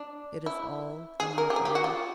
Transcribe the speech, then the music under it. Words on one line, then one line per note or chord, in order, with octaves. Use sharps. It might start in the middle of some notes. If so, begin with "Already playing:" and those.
It is all coming true.
Already playing: D4
E4
G#4
A#4
G4
G#4
G4
F#4
F4